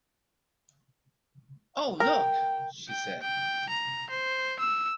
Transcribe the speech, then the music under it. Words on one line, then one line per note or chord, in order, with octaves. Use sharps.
"Oh, look," she said.
A#4 G5
G5
G5
A#5
C5
E6